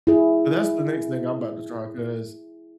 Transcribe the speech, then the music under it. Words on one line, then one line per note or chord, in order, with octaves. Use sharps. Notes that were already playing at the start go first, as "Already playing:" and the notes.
but that's the next thing I'm about to try 'cause
E4 G#4